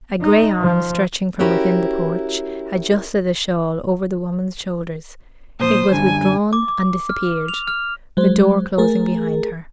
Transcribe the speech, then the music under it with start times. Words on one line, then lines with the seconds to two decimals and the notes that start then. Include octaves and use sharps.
A gray arm, stretching from within the porch, adjusted the shawl over the woman's shoulders; it was withdrawn and disappeared, the door closing behind her.
0.22 D#4
0.61 F3
1.39 C#4 E4 F#4 G4 A#4
5.60 A#2 F3 C5 D#6
5.91 F#2 D3 G3 G#5
6.53 D6
6.68 D6
7.09 F6
7.48 F7
7.67 F6
8.17 F#3 G#3 C5
8.78 A3 G#4 A#4